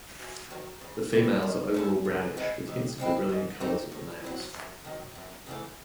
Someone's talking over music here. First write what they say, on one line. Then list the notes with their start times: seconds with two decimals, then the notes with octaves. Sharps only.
The females are overall brownish with hints of the brilliant colors of the males.
0.19 F#2
0.50 D#3 F#3
0.81 C#3
1.12 E3 A3 C4 E4
1.43 D#3
1.74 A3 C#4 E4
2.05 C#3
2.37 G#3 C#4 E4
2.68 D#2
2.98 C#3 G#3 C4 E4
3.29 G#2
3.60 E3 C4 D#4
3.92 A2
4.22 F#3 C4 E4
4.53 F#2
4.85 D#3 F#3
5.15 F#2
5.46 C#3 E3 A3